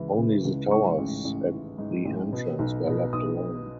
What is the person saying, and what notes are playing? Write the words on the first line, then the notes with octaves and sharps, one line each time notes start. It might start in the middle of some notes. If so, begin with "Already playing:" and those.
Only the towers at the entrance were left alone.
Already playing: C#2 E3
C#3
C#2
G#2 C#6
A1
A1
E3
G#2
A1
B2
B1
B2
B1 D#6